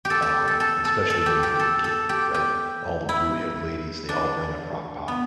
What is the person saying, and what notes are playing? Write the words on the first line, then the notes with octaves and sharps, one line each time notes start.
um, especially when you're a little kid right? All the blue-haired ladies, they all bring a crock pot.
G4
A4
G4
A4
A4
A4
A4
G4
G4
A4
A4
G4
G4
E4
D4
B3